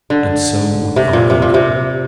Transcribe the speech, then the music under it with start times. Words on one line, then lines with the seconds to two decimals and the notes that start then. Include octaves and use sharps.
And so with the Oligarchy.
0.10 D3
0.96 C3
1.13 A#2
1.30 C3
1.42 A#2
1.54 C3